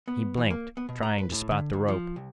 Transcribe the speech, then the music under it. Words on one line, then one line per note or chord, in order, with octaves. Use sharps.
He blinked, trying to spot the rope.
B3
E3
A#3
B3
B2
A#5
B4
A2
D3
D2
F3
C2